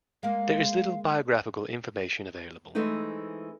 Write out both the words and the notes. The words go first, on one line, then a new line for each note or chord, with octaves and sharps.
There is little biographical information available.
G#3 A#3 F5
E3 G#3 A3 C4 D#4